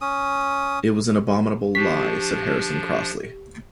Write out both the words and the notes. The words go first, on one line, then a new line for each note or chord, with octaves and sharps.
"It was an abominable lie," said Harrison crossly.
C#4 D#6
F3 D4 G4 B6